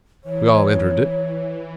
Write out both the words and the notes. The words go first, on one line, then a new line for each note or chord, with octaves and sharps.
We all entered it.
E3 C#5